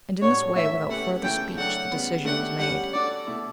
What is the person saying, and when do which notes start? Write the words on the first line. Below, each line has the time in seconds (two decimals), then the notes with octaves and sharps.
And in this way, without further speech, the decision was made.
0.22 A2 G3 D4 F#4 C#5
0.55 D3 A3 E4 E5
0.90 A3 C#4 G4 B4 F#5
1.23 C#3 E3 A3 G5
1.57 F#3 A3 D4 F#5
1.92 C#3 G3 B3
2.25 A3 D4 G4 F#5
2.59 G3 C#4 G4 F#5
2.93 G3 D4 F#4 A4 D5
3.27 B2 A3 E4